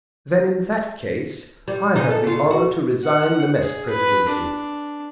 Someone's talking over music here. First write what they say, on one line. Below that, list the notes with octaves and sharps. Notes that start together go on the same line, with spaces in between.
"Then, in that case, I have the honour to resign the mess presidency."
G3
C#3 D#4
A4
C#3 F4
F#4
F#5
G#4
B4
D4